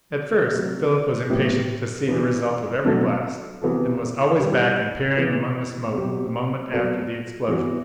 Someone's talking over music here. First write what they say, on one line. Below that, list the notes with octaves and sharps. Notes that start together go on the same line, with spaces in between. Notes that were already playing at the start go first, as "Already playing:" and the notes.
At first Philip was impatient to see the result of every blast, and was always back and peering among the smoke the moment after the explosion.
C3 F#3 A3
A2 F#3 B3 E4 G4
E3 B3 D4
B2 F#3 A3 D4 A4
C3 E3 B3 F#4 A4
E3 G3 D4 G4
E3 B3 E4
B2 F#3 C4 G4
F#3 B3 F#4 A4
E3 B3 F#4